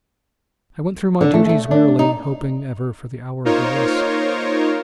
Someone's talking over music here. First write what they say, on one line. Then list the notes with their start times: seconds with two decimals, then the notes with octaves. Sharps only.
I went through my duties wearily, hoping ever for the hour of release.
1.21 D3
1.34 A3
1.49 A3
1.71 D4
1.99 D#4
3.45 A#3 D#4 F4 A#4 C5 C#5